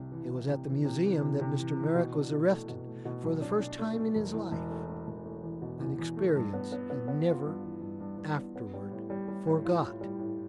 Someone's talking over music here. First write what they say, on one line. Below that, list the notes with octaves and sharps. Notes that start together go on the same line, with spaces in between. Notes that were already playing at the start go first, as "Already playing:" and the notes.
It was at the Museum that Mr. Merrick was arrested for the first time in his life, an experience he never afterward forgot.
Already playing: C2 C3
E3
E3
C3
E3
C3
E3
C3
C3
E3
E3
B2
D4
B2
A3
B2
A3
B2
B1
D4
D4
A3
A3
E1
E2
E1
A3
A3
E1
A3
E2
B2
E2
E2
A3
G2
B3
B3
B3
B3
F4
G2
E3
G2
G2
G2
B3
B3
G3
A2
G3
G3
A2
F4
A2
G3
A2